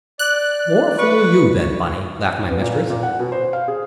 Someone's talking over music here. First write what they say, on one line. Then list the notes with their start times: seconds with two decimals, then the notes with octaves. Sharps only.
"More fool you, then, Bunny," laughed my mistress.
0.19 D5 F#6
0.98 B4 C#6
2.50 B3
2.61 A#2
2.90 A#2
3.03 F#5
3.19 B2
3.32 C5
3.53 F5
3.68 G#4